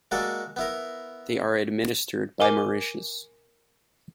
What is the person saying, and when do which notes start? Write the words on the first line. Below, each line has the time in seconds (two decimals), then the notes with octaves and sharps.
They are administered by Mauritius.
0.11 G#3 A#3 F#4 A4 D5
0.56 B3 E4 A#4
2.40 A#4 G#5 D6